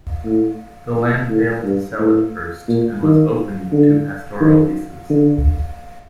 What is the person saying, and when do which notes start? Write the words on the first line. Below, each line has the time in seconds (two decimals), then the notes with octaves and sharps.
The land failed to sell at first and was opened to pastoral leases.
0.25 A2
0.96 A#2
1.29 A2
1.64 G2
1.99 A2
2.68 A#2
3.03 D#3
3.72 D3
4.41 D#3
5.10 D3